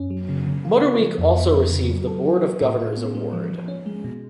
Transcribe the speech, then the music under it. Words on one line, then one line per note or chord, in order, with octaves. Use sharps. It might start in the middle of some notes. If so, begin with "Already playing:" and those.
Motorweek also received the Board of Governors Award.
Already playing: F#2 C#4
F#3
C#3
C#3
F4
B3
F3
F2
B3
F3
C#3
F#3
A4
F#4
C#4
A2
F4
B3
G#3
F3
F3
C#4
G#3
B2